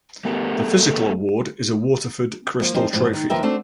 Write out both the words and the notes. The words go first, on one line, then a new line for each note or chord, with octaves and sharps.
The physical award is a Waterford crystal trophy.
A3 B3 G4 A4 A#4
F3 A#3
F3 C4 D#4 C5
F#2 A2 F3
D#3
D#2 F3 B3 A#4 E5 G5
A3 C4 D4 F#4 A4